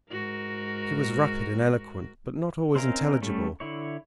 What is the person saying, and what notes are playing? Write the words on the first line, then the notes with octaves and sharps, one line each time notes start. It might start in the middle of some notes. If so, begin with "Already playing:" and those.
She was rapid and eloquent, but not always intelligible.
G#2 F#4 A#4
C4 C#4 D#4 A#4 F5
G3 A3 C#4
D3 E4 C#5